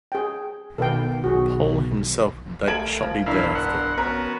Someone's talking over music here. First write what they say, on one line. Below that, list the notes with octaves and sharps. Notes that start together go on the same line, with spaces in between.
Paul himself died shortly thereafter.
G#4 G5
B2 D#3 B3 A4 F5 G5
B1 F#4 G#4
A3 A#4 G#6 D7 F#7
F3
E1 G2 E4 F5 B5
D4 A#4 F#5 C6
B3 C#4 F#4 A#4 C#5